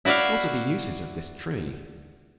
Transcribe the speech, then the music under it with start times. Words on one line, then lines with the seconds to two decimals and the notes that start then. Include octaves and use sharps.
What are the uses of this Tree?
0.05 E4 F#4 D5 E5 F5